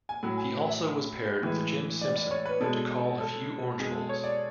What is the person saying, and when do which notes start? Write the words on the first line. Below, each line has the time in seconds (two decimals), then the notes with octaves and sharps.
He also was paired with Jim Simpson to call a few Orange Bowls.
0.09 G#5
0.23 A2 F#3
0.38 G#5
0.67 E5
1.43 A2 E3 G#3
2.01 D5
2.16 D5
2.31 C#5
2.45 B4
2.60 B2 G#3 A4
3.20 A4
3.80 B2 G#3 G#4
3.95 A4
4.09 C#5
4.24 D5